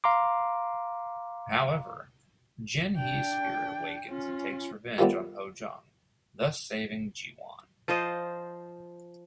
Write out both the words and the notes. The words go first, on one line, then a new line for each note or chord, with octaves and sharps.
However, Jin-hee's spirit awakens and takes revenge on Ho-jung, thus saving Ji-won.
F5 A#5 C6 D6
D4 G5
C#4 F4
D#3 F3 G3 A3 B3
F3 F4 C5 D#5